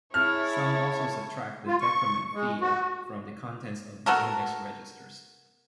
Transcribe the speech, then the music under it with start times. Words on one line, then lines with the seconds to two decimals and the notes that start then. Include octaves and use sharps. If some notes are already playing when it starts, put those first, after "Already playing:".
Some also subtract the "decrement" field from the contents of the index registers.
0.14 E4 G#4 C#5 A5 F6
1.67 F4
1.81 C#6
2.34 G#3
2.61 F#4
4.06 B3 F#4 A4 A#4